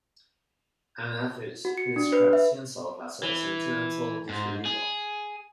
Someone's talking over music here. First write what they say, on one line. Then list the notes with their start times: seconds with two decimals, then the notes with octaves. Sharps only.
An atheist, he describes himself as a "sentimental" disbeliever.
1.65 F#4
1.78 C#7
1.96 D4
2.12 B4
2.33 E5
3.23 E3
4.29 G#2
4.66 G#4